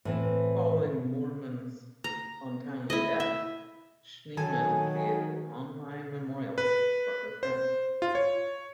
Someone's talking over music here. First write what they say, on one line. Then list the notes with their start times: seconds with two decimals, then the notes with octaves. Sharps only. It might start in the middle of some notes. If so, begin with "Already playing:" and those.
Following Moorman's untimely death, Schneeman created an online memorial page for her friend.
0.05 A2 E3 C4
2.04 A#5
2.90 E4 D#5
3.20 E5
4.37 D#3 F#3 A4 G#5
6.58 B4
7.43 C5
8.02 F4
8.15 C#5